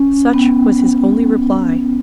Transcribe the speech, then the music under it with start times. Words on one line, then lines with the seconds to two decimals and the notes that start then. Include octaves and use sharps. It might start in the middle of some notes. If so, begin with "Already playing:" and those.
Such was his only reply.
Already playing: C#4
0.34 B3